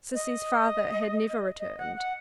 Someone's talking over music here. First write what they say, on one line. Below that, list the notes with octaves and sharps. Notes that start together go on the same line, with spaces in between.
Sissy's father had never returned.
D#5
D#5
F#5
F#5